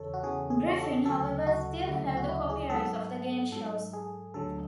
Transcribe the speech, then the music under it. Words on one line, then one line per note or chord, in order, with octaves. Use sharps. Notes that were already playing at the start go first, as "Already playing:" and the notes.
Griffin however, still held the copyrights of the game shows.
Already playing: E2 C#3 E3 A4 C#5
F#4
E2 C#3 E3 G#4
G#4
A4
D2 C#3 F#3 A4
F#4
D2 C#3 F#3 E4
F#4
E4
G#4
G#2 F#3 A4
G#2 F#3 A4
G#4
D2 D3 F#3 A4